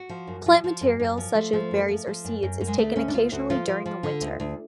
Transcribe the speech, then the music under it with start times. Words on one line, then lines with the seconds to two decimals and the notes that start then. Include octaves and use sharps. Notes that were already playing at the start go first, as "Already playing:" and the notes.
Plant material, such as berries or seeds, is taken occasionally during the winter.
Already playing: F#4
0.09 F3
0.27 F#2
0.46 F3
0.64 F3
0.81 F#2
1.00 F#2
1.17 F3
1.35 F3 A3
1.53 F3
1.71 F#2
1.88 F3
2.07 F3
2.25 F#2
2.43 F#2
2.61 F#2
2.67 G#3
2.78 D2 A3
2.96 D2 C#4
3.08 D4
3.14 D2 F4
3.32 D2 F#4
3.50 F3 F4
3.68 F3
3.86 F3
4.03 D3
4.21 D2
4.40 D2